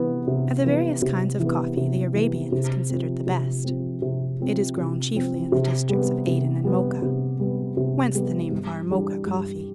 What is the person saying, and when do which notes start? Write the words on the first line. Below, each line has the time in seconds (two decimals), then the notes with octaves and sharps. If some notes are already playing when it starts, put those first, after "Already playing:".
Of the various kinds of coffee the Arabian is considered the best. It is grown chiefly in the districts of Aden and Mocha; whence the name of our Mocha coffee.
Already playing: C3 E3 B3
0.27 C3
0.64 E3 B3
1.02 C3
1.40 E3 B3
1.77 C3
2.15 E3 B3
2.52 C3
2.89 F3 C4
3.27 C3
3.64 F3 C4
4.02 C3
4.40 F3 C4
4.77 C3
5.15 F3 C4
5.52 C3
5.89 G3 B3
6.27 C3
6.64 G3 B3
7.02 C3
7.40 G3 B3
7.77 C3
8.14 G3 B3
8.52 G2
8.90 E3 G3 D4
9.27 G2